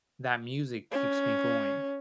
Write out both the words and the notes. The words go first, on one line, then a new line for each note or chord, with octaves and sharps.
that music keeps me going.
C#4